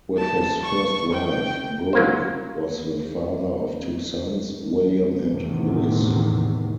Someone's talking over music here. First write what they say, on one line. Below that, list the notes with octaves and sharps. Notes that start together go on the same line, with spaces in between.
With his first wife, Brooke was the father of two sons, William and Louis.
A5
C#6
G5
F#3 A#3 C5
E2 A2 C3 D#3